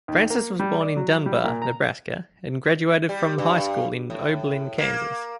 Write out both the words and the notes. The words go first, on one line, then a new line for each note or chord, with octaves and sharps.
Francis was born in Dunbar, Nebraska, and graduated from high school in Oberlin, Kansas.
D#2
A#3
G3
D5
F#3
G3
A#2
A#5
G3
G2
A2
A#3